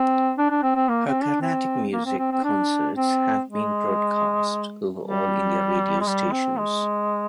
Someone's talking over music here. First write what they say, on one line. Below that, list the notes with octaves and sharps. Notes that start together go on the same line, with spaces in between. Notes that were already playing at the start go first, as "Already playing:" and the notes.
Her Carnatic music concerts have been broadcast over All India Radio stations.
Already playing: C4
D4
D4
C4
C4
A#3
C4
D4
C4
A#3
C4
C4
C4
D4
C4
G#3
G3
G#3
G3
C4
G#3